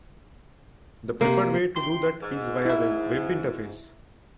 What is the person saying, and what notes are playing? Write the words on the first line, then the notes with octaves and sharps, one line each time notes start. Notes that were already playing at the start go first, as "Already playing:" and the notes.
The preferred way to do that is via a Web interface.
C3 A#3
C3 G5 C6
G#2
E4 E5